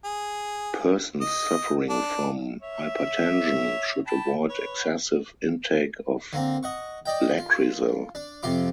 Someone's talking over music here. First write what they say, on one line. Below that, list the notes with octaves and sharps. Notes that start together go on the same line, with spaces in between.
Persons suffering from hypertension should avoid excessive intake of Lakrisal.
G#4
D#5
D4
C#5 E5
G5 A5 B5
B4 C#5
D3 A#3 C4
D#5 F#5 C#6
D5 D#5 G5
F4
D4
F2 C3 F4 C6 D6